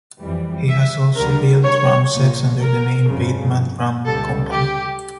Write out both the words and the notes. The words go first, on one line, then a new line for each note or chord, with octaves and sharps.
He has also built drum sets under the name Bateman Drum Company.
F2 E3 G3
E5
D2 D3 G3 A#4
C#5
A#1 A#2 F3
A#4
G1 F2 C#3 F3
C#2 C#3 G3 A4
G4